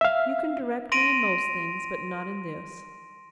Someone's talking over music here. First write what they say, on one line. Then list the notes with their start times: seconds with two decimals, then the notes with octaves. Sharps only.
You can direct me in most things, but not in this.
0.01 E5 F5
0.92 C6 A#6 D7 D#7 F7